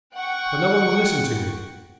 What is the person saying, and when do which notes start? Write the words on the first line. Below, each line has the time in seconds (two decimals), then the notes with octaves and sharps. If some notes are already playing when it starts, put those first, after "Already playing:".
But no one will listen to me.
0.14 F#5 G5 C#6